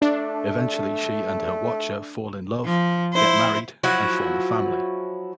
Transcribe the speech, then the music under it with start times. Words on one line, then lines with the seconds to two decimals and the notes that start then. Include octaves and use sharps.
Eventually she and her Watcher fall in love, get married and form a family.
0.02 A3 D4
2.64 F3
3.13 E4 C5
3.83 F3 F#3 E4 F#4